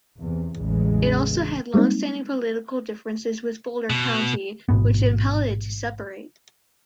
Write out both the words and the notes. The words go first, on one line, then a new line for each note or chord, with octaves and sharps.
It also had longstanding political differences with Boulder County, which impelled it to separate.
E2 C3
A1 E2 C#3 G#3
G3 G#3 A#3 C4 D#4
B2
A1 G#2 B2 B3